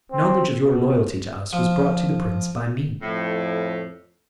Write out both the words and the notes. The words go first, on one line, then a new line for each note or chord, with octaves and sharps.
Knowledge of your loyalty to us was brought to the Prince by me.
C4
B2
F3
F2 A2